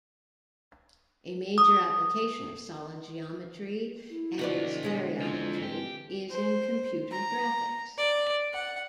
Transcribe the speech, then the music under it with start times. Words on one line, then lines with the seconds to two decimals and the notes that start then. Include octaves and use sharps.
A major application of solid geometry and stereometry is in computer graphics.
1.58 D#6
4.10 E4
4.39 B2 D3 D#4 E4 F#4 B4 D5
4.83 E3 G#3 C#5 D#5
5.22 F3 C4 F4
5.63 C4 G4
6.30 C5
7.11 A#5
7.98 D5
8.53 F#5